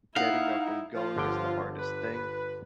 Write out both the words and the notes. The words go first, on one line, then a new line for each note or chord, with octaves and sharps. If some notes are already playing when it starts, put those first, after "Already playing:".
getting up and going is the hardest thing,
D#4 E4 F5 F#5
F3 F4
G1 D3 G5
B4